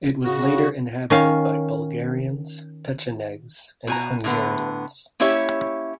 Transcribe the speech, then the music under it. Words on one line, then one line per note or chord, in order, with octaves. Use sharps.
It was later inhabited by Bulgarians, Pechenegs and Hungarians.
C#3 F#4
D#3 C#4 F5
B2 G#5 A#5
A2 D3 B3
A#3 C#4 E4 G4 C#5 E5